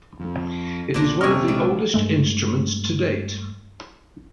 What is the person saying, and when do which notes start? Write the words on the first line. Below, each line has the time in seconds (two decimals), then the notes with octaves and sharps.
It is one of the oldest instruments to date.
0.20 F2
0.94 B1 E2 A#2 D4 A#5
1.21 F1 C3 C#4 D#5 G#5 C#6 F6
1.48 A#1 G#3 D5
1.94 G2 G#3 A3